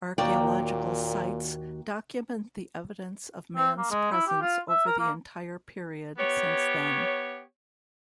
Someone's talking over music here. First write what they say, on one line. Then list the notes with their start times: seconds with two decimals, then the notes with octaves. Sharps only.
Archeological sites document the evidence of man's presence over the entire period since then.
0.18 D#2 A#2 A#3 F#4 D5 G5
3.56 C4
3.78 A#3
3.90 G#3
4.11 E4
4.27 G4
4.41 F4
4.69 E5
4.86 A#4
4.99 A#3
6.18 B3 G4 C#5